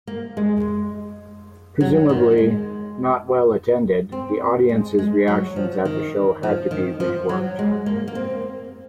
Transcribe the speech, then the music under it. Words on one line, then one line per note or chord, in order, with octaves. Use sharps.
Presumably not well attended, the audience's reactions at the show had to be reworked.
A#3
G#3
F#3
D#3
G#3
C4
G#3
G#3
F#3
F3
D#3
F3
D#3
F3
F#3
G#3
A#3
A#3
C4